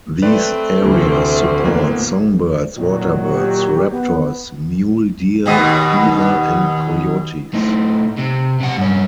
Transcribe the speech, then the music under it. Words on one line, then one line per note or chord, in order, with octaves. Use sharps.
These areas support songbirds, water birds, raptors, mule deer, beaver and coyotes.
A3 C4 B4 D5
D2 C3 E3
A2 A#3 B3
A#2 D#3 F#3
G4
B3
D#2 B2 D#5
A2 D#4
C3
C3 F#5
G2 C#4